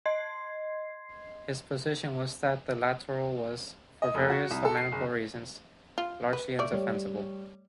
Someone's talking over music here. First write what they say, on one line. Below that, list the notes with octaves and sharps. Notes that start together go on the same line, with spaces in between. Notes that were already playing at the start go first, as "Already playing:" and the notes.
His position was that the Litoral was, for various lamentable reasons, largely indefensible.
D#5 C6 G#6 C7
D#5
F1
F#4
C2
A4
C7
F#1
F4
B4
A3 D5
G3 C#5